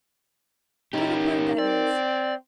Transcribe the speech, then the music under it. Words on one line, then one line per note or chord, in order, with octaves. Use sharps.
What a word that is!
C#4 D#4 G4 A#4
C4 D5